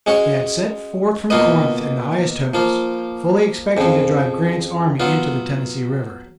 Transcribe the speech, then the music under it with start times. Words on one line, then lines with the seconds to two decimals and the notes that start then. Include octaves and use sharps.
They had set forth from Corinth in the highest hopes, fully expecting to drive Grant's army into the Tennessee River.
0.06 G#3 C#4 F#4 C#5
1.30 B2 A#3 F4 B4 D#5
2.54 F3 A#3 F4
3.77 F2 C#3 F3
5.00 F#3 B3 F4